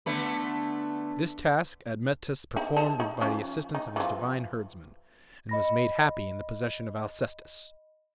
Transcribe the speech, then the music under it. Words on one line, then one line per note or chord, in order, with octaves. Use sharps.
This task Admetus performed by the assistance of his divine herdsman, and was made happy in the possession of Alcestis.
D3 A3 B3
D#4
D#4 A5
D#4
F3 C#4
D#4
E3 F3
D#5 B5 A#6